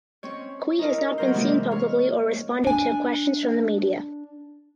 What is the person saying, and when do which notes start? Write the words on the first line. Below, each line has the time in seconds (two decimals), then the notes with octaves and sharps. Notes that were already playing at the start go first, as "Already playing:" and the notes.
Qui has not been seen publicly or responded to questions from the media.
0.23 C4 C#4 C#5
0.79 D#4 E4 A#4
1.18 F#3 C#4 A#4 C5
1.34 G#2 C3 E3 G#3 A#3
1.71 C#5 F5
2.64 D4 G#5